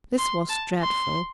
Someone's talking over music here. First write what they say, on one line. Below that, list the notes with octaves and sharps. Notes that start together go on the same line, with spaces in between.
This was dreadful.
C6
A5
C6